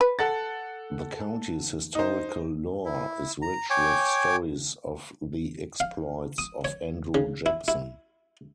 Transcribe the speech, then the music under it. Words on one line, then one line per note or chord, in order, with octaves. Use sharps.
The County's historical lore is rich with stories of the exploits of Andrew Jackson.
B4
A4 F#5 A6
D#4 C5
E4
A#5
C#5 G5 G#5 D6
F5
D#6
C#5
C#3
E4
E4